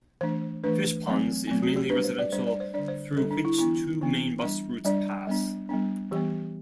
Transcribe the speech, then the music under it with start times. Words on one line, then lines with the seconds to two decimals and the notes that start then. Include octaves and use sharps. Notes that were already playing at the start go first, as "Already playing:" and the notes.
Fishponds is mainly residential through which two main bus routes pass.
0.21 E3 A3 D4 C5
0.64 E3 A3 D4 B4
1.06 F#3 A3 C4
1.47 F#3 A3 C4
1.62 F#4
1.76 G4
1.89 G3 D4 B4
2.04 C5
2.19 D5
2.32 G3 D4 C5
2.47 D5
2.60 C5
2.74 D3 G3 D4 D5
2.88 C5
3.16 D3 G3 D4 A4
3.31 D4
3.45 E4
3.58 E3 B3 D4 E4
4.01 E3 B3 D4
4.43 G3 D4
4.85 G3 D4 D5
5.27 G3 B3 D4
5.69 G3 B3 D4
6.11 E3 G3 B3 G4